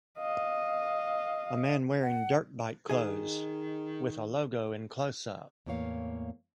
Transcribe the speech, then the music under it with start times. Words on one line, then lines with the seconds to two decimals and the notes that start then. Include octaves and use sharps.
A man wearing dirt bike clothes, with a logo in closeup.
0.19 D#5 F5
2.02 F#5
2.89 D#3 G#4 D#5
5.66 E2 A2 A#3 C#5 F5